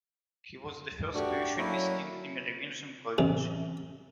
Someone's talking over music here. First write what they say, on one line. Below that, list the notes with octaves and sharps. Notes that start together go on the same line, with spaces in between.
He was the first to issue distinctly Merovingian coinage.
A3 D4 F#4 G4
F#3 A#3 C#4 D4 E4
A1 C3